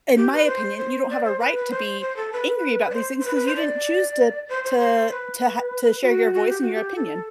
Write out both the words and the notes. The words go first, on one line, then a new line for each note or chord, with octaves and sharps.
in my opinion, you don't have a right to be angry about these things, 'cause you didn't choose to to to ha to share your voice and your opinion.
G4
B4
C5
C5
D5
C5
B4
B4
C5
C5
A4
B4
D5
C5
C5
B4
B4
C5
D5
C5
C5
C5
B4
F#4
F#4
G4
F#4
G4
A4